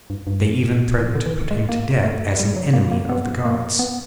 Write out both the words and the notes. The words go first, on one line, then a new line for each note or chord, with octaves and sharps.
They even threatened to put him to death as an enemy of the gods.
G2
G2
A2
D3
E3
D#3
G#3
A#3
A3
G3
F#3
A#3
A#3
B3
A#3
B3